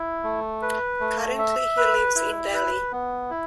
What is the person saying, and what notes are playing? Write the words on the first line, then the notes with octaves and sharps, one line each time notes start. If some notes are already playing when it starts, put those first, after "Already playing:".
Currently he lives in Delhi.
Already playing: E4
A3
B4
A3
E5
B4
E4
B4
B3
E4